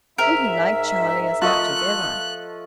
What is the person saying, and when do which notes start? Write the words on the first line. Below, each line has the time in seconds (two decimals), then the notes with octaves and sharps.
And he liked Charlie as much as ever.
0.18 G#2 A#4 E5
1.42 F3 A3 D#5 F#6